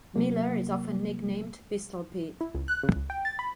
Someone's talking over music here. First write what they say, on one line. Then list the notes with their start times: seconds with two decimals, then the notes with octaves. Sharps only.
Miller is often nicknamed "Pistol Pete".
0.16 C3 F#3 A#3
2.41 E4
2.55 C#2
2.68 F#6
2.83 C#3
2.96 C#2
3.10 G5
3.25 A6
3.39 B5